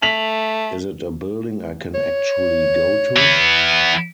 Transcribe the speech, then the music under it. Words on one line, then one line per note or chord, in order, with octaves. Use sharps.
Is it a building I can actually go to?
A3 B6 F7 F#7
C#5
E3 B3